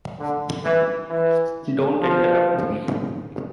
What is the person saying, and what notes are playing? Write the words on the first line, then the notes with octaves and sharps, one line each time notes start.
Don’t interrupt me.
D3
E3
E3
F3